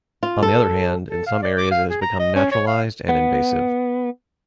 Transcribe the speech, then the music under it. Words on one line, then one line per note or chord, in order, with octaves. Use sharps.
On the other hand, in some areas it has become naturalised and invasive.
F4
A4
A4
F5
D5
D6
F5
G#4
A#5
D#5
C#4
C#5
F5
B3